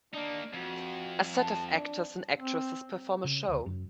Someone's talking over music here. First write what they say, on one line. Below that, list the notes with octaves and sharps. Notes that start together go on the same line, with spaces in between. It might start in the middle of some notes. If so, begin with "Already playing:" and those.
A set of actors and actresses perform a show.
A#3 D4 D#4
F2 F#4
A5
D4
C4
C#3
D2
F#2